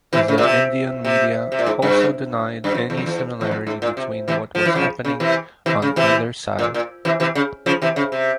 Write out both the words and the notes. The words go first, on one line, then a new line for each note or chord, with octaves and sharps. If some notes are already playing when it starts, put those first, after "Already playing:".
The Indian media also denied any similarity between what was happening on either side.
C3 E3
C#3
A#2
C3
C3
C3
A#2
G#2
G2
G2
F2
E2
F2
E2
E2
F2
G#2
A#2
C3
C3 E3
F3
E3
C#3 F3
C#3
C3 E3
C3 E3
C#3
C3 E3
A#2
A#2
C3 E3
C3 E3
C#3
C#3 F3
C3 E3
C#3
C3